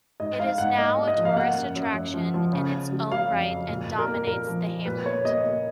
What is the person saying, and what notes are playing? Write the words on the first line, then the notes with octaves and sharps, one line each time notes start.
It is now a tourist attraction in its own right and dominates the hamlet.
G#2 D#5
G#2 F5
G#2 F#5
A#3 D#5
A#3
D#5
F3
F5
A#3 F#5
F#2
F#2
F#2
F3
F3
C#3
C#3
F#3
F#3 F5
F2
F2
A#2
A#2
A#4
A#3
A#2 A#4
F3
F3
A#2 B4
A#3 C#5
A#3 D#5
A#3